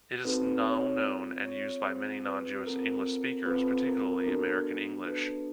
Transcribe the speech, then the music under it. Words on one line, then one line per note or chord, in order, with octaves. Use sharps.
It is now known and used by many non-Jewish English speakers, particularly American English.
C4 D#4 F#4 A4 B4
C#5
C4 F4 G#4
C#5
C4 F4 G#4 C5
B4
C4 F4 A4 A#4
C4 F4 A4 B4
A#4
A#4
B3 D4 F#4 A4
B3 D4 F#4 A4 B4